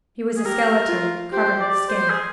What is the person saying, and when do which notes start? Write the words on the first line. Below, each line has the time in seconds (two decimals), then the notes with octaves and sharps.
He was a skeleton covered with skin.
0.37 G#4
0.45 G4 A#4
0.88 F4
1.33 G4 C5
1.61 D5
1.89 C5
2.09 G#4